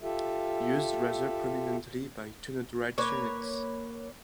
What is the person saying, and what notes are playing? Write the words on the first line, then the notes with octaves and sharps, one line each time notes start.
Used rather prominently by 'Tunnel Rat' units.
F4 G4 A4 E5
A#3 B4 C#5